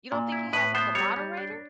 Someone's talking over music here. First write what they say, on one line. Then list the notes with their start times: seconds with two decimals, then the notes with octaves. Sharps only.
You don't think he has, like, a moderator?
0.12 A#2
0.32 E4
0.53 A2 B4
0.75 B3 C5
0.95 G3 C#5
1.16 G3
1.37 D4